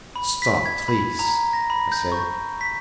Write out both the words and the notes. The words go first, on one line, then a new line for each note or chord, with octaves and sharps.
"Stop, please," I said.
B5
B6
G#6
B5
A#5
A#6
B5
G6
C#6
B6